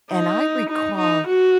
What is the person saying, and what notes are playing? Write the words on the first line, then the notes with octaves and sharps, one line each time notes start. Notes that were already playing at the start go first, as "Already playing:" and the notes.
and I recall
D#4
D#4
D#4
F#4